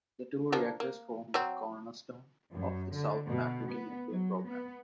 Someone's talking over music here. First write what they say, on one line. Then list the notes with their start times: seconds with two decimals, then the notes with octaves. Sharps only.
The two reactors form the cornerstone of the South African nuclear program.
0.52 F3 A#3 D4
0.80 A#3
1.34 F#3 C4
2.53 F#2
2.94 D3
3.29 B2
3.71 B3
4.09 F#3
4.46 B3